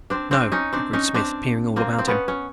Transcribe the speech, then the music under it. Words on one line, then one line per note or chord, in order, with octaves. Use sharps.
"No," agreed Smith, peering all about him.
C4 D4
C4 D4
C#4 D#4
C4 D4
C#4 D#4
C4 D4
A#3 C4
C4
B3 C#4
C#4